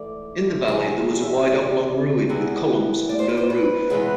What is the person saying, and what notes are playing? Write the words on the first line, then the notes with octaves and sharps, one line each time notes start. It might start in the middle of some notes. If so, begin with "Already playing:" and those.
In the valley, there was a wide oblong ruin with columns and no roof.
Already playing: G#2 E3 A3 D5
E2 C3 G#3 G#4
E5
D5
E2 C3 G#3 B3 E4
D5
C5
B4
C5
B4
C3 E3 G#3 B3 B4